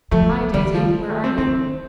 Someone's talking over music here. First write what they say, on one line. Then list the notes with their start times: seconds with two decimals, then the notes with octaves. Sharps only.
"Hi, Daisy! where are you?"
0.11 F3 A3
0.54 D#3 G3
0.74 F3
1.10 A3
1.24 C4
1.38 D#3 C4